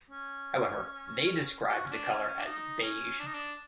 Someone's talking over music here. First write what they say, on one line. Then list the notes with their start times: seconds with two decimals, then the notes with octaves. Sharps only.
However, they described the color as "beige".
0.11 C#4
1.70 G4
1.74 F#4
1.86 C#4
1.92 D4
2.10 C#4
2.28 C#4
2.39 D4
2.46 D#4
2.83 C#4
3.19 D4
3.27 D#4
3.34 D4